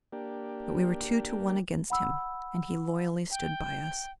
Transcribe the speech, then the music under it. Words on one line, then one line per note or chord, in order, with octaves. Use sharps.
But we were two to one against him and he loyally stood by us.
A#3 D4 G4
F#5 B5 E6
G5